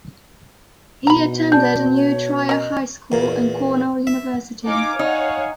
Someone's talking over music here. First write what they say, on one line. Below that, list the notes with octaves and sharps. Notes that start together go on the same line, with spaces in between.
He attended New Trier High School and Cornell University.
B2 A#5 B5
G#4 D5 A5 G6
C#5
C#4 A#4 D#5
E2 A#2
E5
D#4 F5 G#5 D6
D#4 C#5 F#5